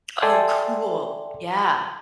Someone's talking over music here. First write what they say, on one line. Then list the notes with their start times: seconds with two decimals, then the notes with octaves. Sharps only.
Oh, cool. Yeah.
0.22 A4 D5 E5 G5 G#5 C6